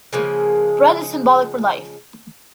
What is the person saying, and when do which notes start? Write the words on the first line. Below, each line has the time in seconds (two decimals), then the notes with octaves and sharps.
Bread is symbolic for life.
0.13 C#3 F3 G#3 A#3